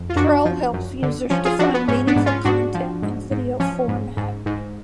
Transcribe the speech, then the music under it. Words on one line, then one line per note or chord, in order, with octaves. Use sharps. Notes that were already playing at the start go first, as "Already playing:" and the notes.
Trell helps users to find meaningful content in video format.
Already playing: F2
F4
F#2 D4 F#4
F3
F#2
D3
F3 C#4
F4 G#4
F3 D4 F#4
B3
G#2 C#4
B3 D4
G#2
C#4 F4
G#2 D4 F#4
F3
G#2
G#2
F3 C#4
G#2
G#2
G#2